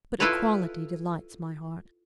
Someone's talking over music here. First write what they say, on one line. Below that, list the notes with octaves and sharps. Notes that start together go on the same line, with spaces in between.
But equality delights my heart.
E4 F4 A4 B4 C#5